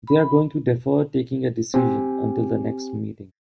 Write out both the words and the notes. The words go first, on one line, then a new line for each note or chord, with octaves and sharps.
They are going to defer taking a decision until the next meeting.
B5
C4 G4 G#5